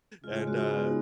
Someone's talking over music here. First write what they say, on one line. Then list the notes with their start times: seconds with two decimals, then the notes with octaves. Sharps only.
And, uh
0.24 C#2 C#3 F3 G#3 F4
0.47 F#4
0.70 B3
0.86 D#4